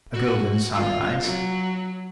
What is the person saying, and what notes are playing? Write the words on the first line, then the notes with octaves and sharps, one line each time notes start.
A golden sunrise.
F#4
F4
F#3